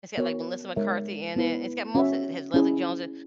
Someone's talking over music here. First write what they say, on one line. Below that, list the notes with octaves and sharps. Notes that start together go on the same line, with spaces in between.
It's got, like, Melissa McCarthy in it, it's got most of it has Leslie Jones in
B3 F#4 A#4 C#5
G#3 D#4 A#4 C#5 E5
B3 E4 B4
C#4 F#4 C#5 E5
C#4 E4 G#4